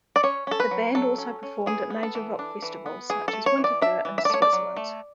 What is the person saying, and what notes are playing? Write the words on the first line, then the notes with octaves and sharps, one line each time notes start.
The band also performed at major rock festivals such as Winterthur in Switzerland.
D5
C#4 C#5
C#4 A4
B4
F#3
F#3 A4
C#4
C#4
E3 G#4
B3
A4
E3
D4
E3
B3
E3 G#4
A4
A3
C#5
E3
D5
D4 E5
E3
E5
D5
A3 C#5
D5
F#3
A3